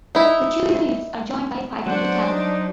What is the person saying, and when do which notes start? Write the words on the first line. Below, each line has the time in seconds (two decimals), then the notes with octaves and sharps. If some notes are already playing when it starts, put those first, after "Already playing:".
The two units are joined by a five-meter cable.
0.15 D#4 E4
1.86 F#3 D4 C5 F#5
2.30 D#4